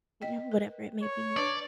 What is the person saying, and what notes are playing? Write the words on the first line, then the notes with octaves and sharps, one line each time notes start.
you know, whatever it may be.
D#5 G5
A#4 B4
C#5
D4 B4 D5 D6